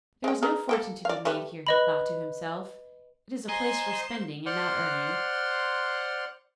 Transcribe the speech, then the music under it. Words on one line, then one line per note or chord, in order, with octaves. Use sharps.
'There is no fortune to be made here,' he thought to himself; 'it is a place for spending, and not earning.
G#3 G5
G#4 A#4 B4
A#3 A4 G5
D5 F5
G3 A3 B4
B4 D#5 B5
C5 D#5 G#5 A#5 C6
C5 D5 F#5 C6 F6 F#6